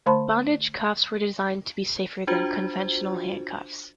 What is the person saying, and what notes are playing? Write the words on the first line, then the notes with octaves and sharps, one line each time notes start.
Bondage cuffs are designed to be safer than conventional handcuffs.
D3 A3 C5 A5 B5 C6
D4 F4 F#4 C5